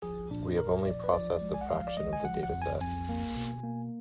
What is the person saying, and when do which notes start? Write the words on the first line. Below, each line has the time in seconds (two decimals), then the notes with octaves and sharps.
We have only processed a fraction of the dataset.
0.02 F3 G#4
0.30 A#2 D4
0.58 A#2 A#4
0.86 F3 D5
1.04 B4
1.13 F3 D5
1.41 G#3
1.54 G#5
1.61 F#5
1.69 F3 F5
1.87 D5
1.97 G#3 D#5
2.13 G#5
2.24 F3 F#5
2.43 F#5
2.53 F2
2.62 G#5
2.80 F2 G#5
3.09 A#3
3.36 B2
3.63 A#3